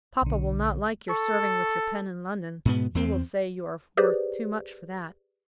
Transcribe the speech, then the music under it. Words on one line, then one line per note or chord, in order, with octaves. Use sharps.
"Papa will not like your serving with your pen in London: he will say you are worth too much for that."
B1 D3
A4 C#6
G#2 B2 B3
E2 C4
G4 G#4 B4 C5 D5